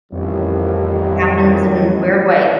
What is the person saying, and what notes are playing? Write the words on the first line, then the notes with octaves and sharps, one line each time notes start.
happens in weird ways.
A1 F2 D#3 G3 D#4